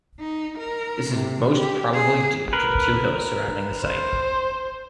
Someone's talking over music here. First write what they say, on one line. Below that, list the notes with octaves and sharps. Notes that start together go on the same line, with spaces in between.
This is most probably due to the two hills surrounding the site.
D#4
A#4
C3
G4
G#4
A#4 B4
C5